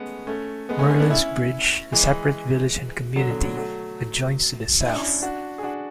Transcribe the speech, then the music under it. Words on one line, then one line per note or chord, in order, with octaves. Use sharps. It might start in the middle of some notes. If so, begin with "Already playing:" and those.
Merlin's Bridge, a separate village and community, adjoins to the south.
Already playing: G#3 A3 B3 C#4
A3 C#4
G#3 B3
A3 C#4
A3 C#4
B3 D4
C#4 E4
E3 G#3
D3 F#3
B2 D3
D3 F#3
F#3 A3
E4
D4
C#4 E4
D4 F#4
G#4
D4 F#4